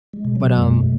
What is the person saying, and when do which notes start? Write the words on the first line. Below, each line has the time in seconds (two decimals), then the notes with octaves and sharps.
but, um
0.13 G#3
0.25 B2
0.36 F#3
0.57 F#2 G#3
0.74 A3